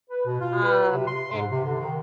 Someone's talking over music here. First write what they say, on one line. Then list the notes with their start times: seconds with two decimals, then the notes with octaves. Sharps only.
um, and
0.10 B4
0.26 B2
0.40 F4
0.64 B4
0.93 C3
1.08 C6
1.33 G#2
1.51 C3
1.65 D3
1.79 D#3